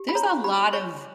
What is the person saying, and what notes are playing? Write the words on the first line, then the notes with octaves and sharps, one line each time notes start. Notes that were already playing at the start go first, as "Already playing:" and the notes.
There's a lot of
Already playing: G4
B5
C#5 A#5
G4 B5
C#5 C#6